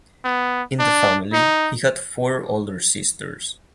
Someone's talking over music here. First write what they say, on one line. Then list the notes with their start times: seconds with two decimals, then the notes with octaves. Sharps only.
In the family he had four older sisters.
0.25 B3
0.79 D4
1.33 D#4